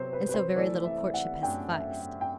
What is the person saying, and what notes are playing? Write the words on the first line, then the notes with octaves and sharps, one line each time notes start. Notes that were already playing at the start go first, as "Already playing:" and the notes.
And so very little courtship has sufficed.
Already playing: C3 F#3 B3 C5
B4
B4
C5
E3 A3 E4 A4 D5
E5
F#5
F#2 F#3 A3 D4 G5
E5
E5
G5